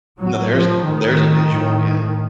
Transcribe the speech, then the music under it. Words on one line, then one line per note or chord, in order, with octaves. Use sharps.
Now there's there's a visual, yeah.
A2 F#3
F3
A2 D#3
A2